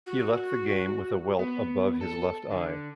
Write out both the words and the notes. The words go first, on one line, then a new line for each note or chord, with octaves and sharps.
He left the game with a welt above his left eye.
F#4
B3
A4
D3